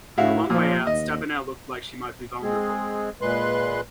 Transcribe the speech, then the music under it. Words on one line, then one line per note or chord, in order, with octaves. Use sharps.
From a long way out Stabenow looked like she might be vulnerable.
A2 E4 F#4 F5
A#2 F3
D#2 D#5
G#3 C4 G#4
A#2 G#3 B4 C6 F#6